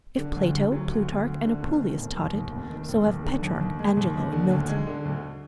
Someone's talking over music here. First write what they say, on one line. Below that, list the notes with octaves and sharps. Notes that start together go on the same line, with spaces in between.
If Plato, Plutarch and Apuleius taught it, so have Petrarch, Angelo and Milton.
D3
D2
D2
F#3
D2
D2
D2
D3
F1
D#3
F1
D#2
D#2
F1
D#3
F1
D#2
D3
D#2
D#2
G#3
D#2
D#2
D3
D2
G#3
D3
D2